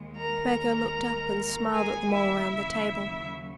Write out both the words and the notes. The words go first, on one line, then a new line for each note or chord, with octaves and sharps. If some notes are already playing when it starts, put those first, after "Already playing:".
Burgo looked up and smiled at them all round the table.
Already playing: D#2 D#3 G#3
A#4 A#5
G#4 G#5
E4 E5
D#2 C#3 F#3